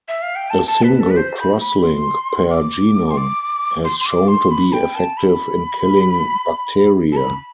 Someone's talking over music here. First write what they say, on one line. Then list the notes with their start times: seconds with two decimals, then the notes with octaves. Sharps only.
A single crosslink per genome has shown to be effective in killing bacteria.
0.08 E5
0.22 F5
0.36 G5
0.50 A5
0.67 A5
0.83 B4
1.00 A4
1.11 B4
1.17 C5
1.40 B5
1.61 B5
1.83 C6
2.50 D6
3.11 C6
3.17 D6
3.84 C6
4.00 C6
4.06 D6
4.28 C6
4.51 B5
4.73 G5
4.95 A5
5.17 B5
7.12 A5
7.17 B5